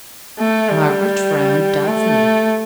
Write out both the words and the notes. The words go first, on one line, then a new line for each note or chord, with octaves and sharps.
Margaret frowned doubtfully.
A3
G3
A3